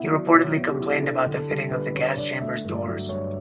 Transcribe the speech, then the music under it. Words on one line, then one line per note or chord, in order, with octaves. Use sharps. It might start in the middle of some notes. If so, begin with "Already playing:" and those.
He reportedly complained about the fitting of the gas chambers doors.
Already playing: B3 E4 E5 F#5
F#3 D5
B2 C#5
B3
G4
E4
D4 A4
D3
A4
G3
D3 B4
D4 C#5
D3 D5
A3 E5
G2
D5
F#3
G2 C#5